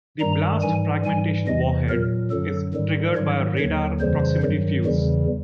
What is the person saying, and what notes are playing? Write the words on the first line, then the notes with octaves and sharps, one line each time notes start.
The blast-fragmentation warhead is triggered by a radar proximity fuze.
G2 D#3 G3 A#5
G#2 E3 G3 G#5
G#2 E3 G3 G#5
E2 C3 E3 D#5
A#2 F#3 A#4
F#2 D3 F#3 A4
G#2 D#3 G3
G#2 D#3 F#3 C#5
D#2 D3 F#3 C#5
F2 C#3 E3 G3 C5
G2 D#3 F#3
E2 C#3 E3 G3